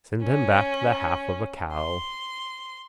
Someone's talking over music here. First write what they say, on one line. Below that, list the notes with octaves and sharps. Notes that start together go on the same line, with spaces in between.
Send him back the half of a cow.
C#4
C6